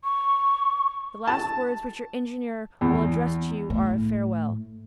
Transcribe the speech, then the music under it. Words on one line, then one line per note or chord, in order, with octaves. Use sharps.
The last words which your engineer will address to you are a farewell.
C#6
A5
E2
A2